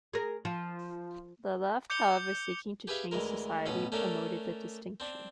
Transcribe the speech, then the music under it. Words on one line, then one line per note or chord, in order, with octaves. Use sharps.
The Left, however, seeking to change society, promoted the distinction.
G#4 A#4
F3
D6 G6 C#7 F7 G7
G4 G#4 B4 E5 F5 G#5
D2 E3 G#3 A#4
A1 B2 C#4 B4
A3 C#4 D4 A4 A#4
C4 D4